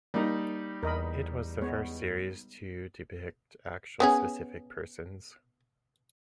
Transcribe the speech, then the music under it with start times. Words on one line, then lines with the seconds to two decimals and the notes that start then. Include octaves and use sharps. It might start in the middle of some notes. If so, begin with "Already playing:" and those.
It was the first series to depict actual specific persons.
0.14 G3 A#3 D#4 A#5
0.83 E2 A#4 D#5 B5
1.61 G#3 B3 C#5
4.00 B3 C#4 G#4